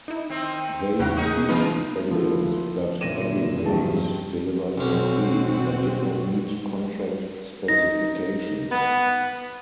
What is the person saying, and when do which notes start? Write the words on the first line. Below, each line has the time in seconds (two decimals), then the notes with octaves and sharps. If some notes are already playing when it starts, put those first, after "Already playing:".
They seized evidence that Aggregate delivered concrete that did not meet contract specifications.
0.08 D#4 E4
0.30 D#3 C4
0.99 E2 C#3 B3 F#4
1.17 D#4 G#4 A#4
1.49 E3 D#4 F4 B4
2.11 F3 B3 E4 F4 A4
3.01 F#1 A#2 D3 A#6 D#7 E7
3.66 E1 G2 F3 F#3 C4 A5
4.78 B1 B2 C4 C#4 F#4
7.68 D#4 A#6
8.71 B3 B4 D#5